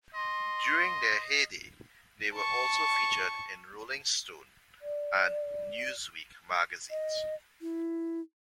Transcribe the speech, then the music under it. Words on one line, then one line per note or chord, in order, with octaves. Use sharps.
During their heyday, they were also featured in "Rolling Stone" and "Newsweek" magazines.
D#5 C6
A5 C#6
D5
D#5
E4